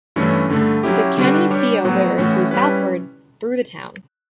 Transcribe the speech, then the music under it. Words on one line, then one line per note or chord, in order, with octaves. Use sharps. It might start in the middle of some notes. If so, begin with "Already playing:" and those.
The Canisteo River flows southward through the town.
G2 E3 A3 C#4
G2 D3 A3
F#3 C#4 E4 G4
D3 G3 D4 F#4 B4
G3 D4 G4 C#5
A2 F#3 B3
A2 E3 A3 C#4 F#4
G3 C#4 E4 B4